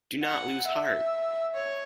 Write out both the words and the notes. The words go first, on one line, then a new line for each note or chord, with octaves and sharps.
Do not lose heart!
F#5
E5
C#5